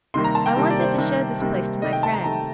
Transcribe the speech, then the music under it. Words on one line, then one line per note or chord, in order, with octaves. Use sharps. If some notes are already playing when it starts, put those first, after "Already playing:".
'I wanted to show this place to my friend.
C3 D#3 G3 A#3 C6
A#5
A5
G5
C3 D#3 G3 A#3
D5
C5
D5
C3 D#3 G3 A#3
C3 D#3 G3 A#3
C3 D#3 A3 D#5
G5
A5
A#5
C3 D#3 A3 A#5